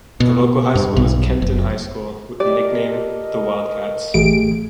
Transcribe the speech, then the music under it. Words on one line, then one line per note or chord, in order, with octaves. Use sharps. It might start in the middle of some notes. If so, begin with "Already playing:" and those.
The local high school is Kenton High School, with the nickname the "Wildcats".
B2
G2
B1
F#1
G4 A4 A#4 D5 D#5
A1 A3 G4 G#4 D7